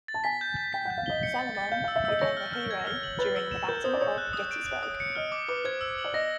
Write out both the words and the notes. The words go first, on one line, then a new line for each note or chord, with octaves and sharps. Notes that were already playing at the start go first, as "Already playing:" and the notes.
Salomon became a hero during the Battle of Gettysburg.
A6
A5
G#5 B6
G6
G6
G5 B6
F#5 G6
F5
D#5 G7
C#7
A6
A6
F5 G6
F5 E6
E5
D#5 E6
C#5 A#6
F6
F6
G#6
F6
F#7
B4 A6
E6
E7
A#4 G6
C5 D#6
D5
C#5 D#6
F#6
D#6
D7
F#6
D#6
C#7
D#5 F6
D6
B4 D6
C5 G#6
E6
F#7
D5
D#5 A#6